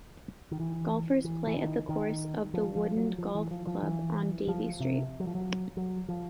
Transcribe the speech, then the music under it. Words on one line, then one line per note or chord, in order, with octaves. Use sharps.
Golfers play at the course of the Woodend Golf Club on Davy Street.
D#3
E3
E3
E3
D#3
D#3
F3
F3
F#3
F3
E3
F3
F3
E3
F3
C3
F#3
F3
F#3
F#3
F3